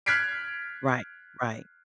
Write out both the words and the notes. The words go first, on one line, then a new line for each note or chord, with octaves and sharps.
Right, right.
F6 F#6 G#6 B6 C7 D7